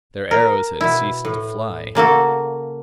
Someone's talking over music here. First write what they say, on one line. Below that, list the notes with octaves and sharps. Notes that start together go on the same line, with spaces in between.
Their arrows had ceased to fly.
A#4
B2 E4
A2
C#3 A#3 F#4 A4